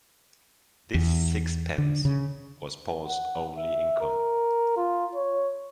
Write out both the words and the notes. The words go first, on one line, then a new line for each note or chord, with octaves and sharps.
This sixpence was Paul’s only income.
E2
D3
C#3
F#5
E5
A#4
F4
C#5